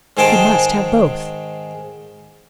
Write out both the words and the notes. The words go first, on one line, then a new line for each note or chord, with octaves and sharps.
He must have both.
G#2 D#3 G#4 C5 G5 A5